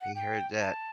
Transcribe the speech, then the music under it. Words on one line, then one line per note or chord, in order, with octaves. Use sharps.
He heard that.
F#5
G5
A5